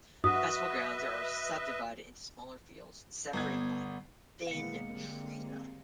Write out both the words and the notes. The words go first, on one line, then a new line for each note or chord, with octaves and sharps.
The festival grounds are subdivided into smaller fields separated by a thin treeline.
G2 F#4 B4 D#5 E5 D#6
G1 B3 G#6
B1 D#3 G#3 A#3 B3 F5 C#7
D3 G3 C4